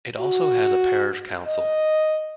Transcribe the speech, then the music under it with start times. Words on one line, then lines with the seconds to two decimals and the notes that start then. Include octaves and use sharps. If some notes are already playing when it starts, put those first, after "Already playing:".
It also has a Parish Council.
0.20 F#4
1.47 D#5